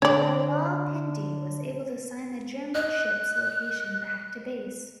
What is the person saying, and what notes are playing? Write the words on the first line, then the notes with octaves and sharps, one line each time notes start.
"Rawalpindi" was able to signal the German ships' location back to base.
D3 D4 C#5 D5
D#5 F#6